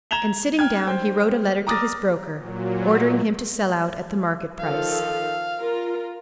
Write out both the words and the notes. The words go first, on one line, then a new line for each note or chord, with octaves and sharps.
And, sitting down, he wrote a letter to his broker, ordering him to sell out at the market price.
A#5 G#6 E7 F7 G7
G5 F6 G#6
C5 G5
A#5 D6 D#6 F6 A6 A#6
A#2 F#3
D#3 F3 A4 F5
F4 A#4